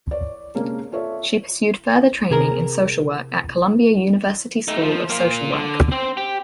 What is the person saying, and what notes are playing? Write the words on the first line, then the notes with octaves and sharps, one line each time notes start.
She pursued further training in social work at Columbia University School of Social Work.
C#5 D5
C3 G#3 A#3 C#4 D4 A#4
F4 A4 C#5 D5 E5
C3 G#4 A#4
A3 D#4
F3
A#3 F4
D3
C4 C5
G4